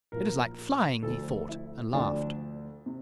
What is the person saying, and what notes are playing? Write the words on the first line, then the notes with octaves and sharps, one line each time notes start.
"It is like flying," he thought and laughed.
A#1 A#2 F3 A#4
D2 D3 F3 A4
E4
D2 D3 F3 D4
C3